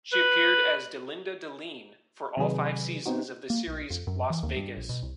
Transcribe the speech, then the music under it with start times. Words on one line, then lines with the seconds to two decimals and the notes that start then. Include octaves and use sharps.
She appeared as Delinda Deline, for all five seasons of the series "Las Vegas".
0.13 B4
2.37 C3 D#3 F#3 G#4 B4
3.06 B3 C4 D#4 F#4
3.50 A#3
3.67 B1
3.90 F2
4.07 F#2
4.30 E3
4.43 D#2
4.56 G2
4.77 A#1
4.89 B2
5.03 C2